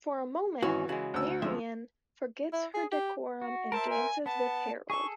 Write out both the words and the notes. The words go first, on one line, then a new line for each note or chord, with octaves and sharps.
For a moment, Marian forgets her decorum and dances with Harold.
G#1 E3 C#4 F#4
C#3 G#3 F#4
D2 E6
F2 F3 G#3 E5
E4
G#4
G4
F#4
A#4 C5 E5 A5
G#5
B3 A5
G#4 A4 C#6